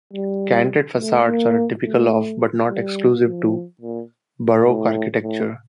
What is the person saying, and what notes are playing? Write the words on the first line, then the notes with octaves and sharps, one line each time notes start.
Canted facades are a typical of, but not exclusive to, Baroque architecture.
G3
A3
A#3
A3
G3
F3
A#2
A2
A2